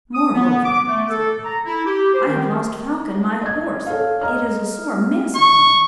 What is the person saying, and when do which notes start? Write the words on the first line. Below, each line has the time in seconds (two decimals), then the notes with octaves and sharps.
"Moreover," said Ralph, "I have lost Falcon my horse; it is a sore miss of him."
0.14 D#6
0.34 B3
0.65 D6
0.87 A3
1.09 A4
1.44 A#5
1.65 E4
1.85 G4
2.14 C5
2.27 D#3
3.41 D#5 G#6
3.86 A4 C#5 F5
4.21 D#5 A#5 F6
5.35 C#6